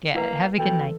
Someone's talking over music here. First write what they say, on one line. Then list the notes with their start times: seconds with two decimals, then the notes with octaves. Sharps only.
Yeah, have a good night.
0.15 A#3 E4 B4 F#5
0.58 B2 E3 A4 G5